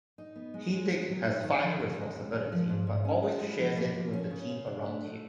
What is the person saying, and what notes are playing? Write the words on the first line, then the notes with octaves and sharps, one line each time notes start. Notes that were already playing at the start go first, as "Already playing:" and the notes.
Hiddink has final responsibility, but always shares it with the team around him.
D#4
B3
G#3
G#3
B3
F#3
D#4
D#3
F3
D3
G#3
D#2
G#3
F3
G#2
G#2
C#4
G#3
E4
F3
A#3
F3
C#4
C#3
F4
D4
A3
A3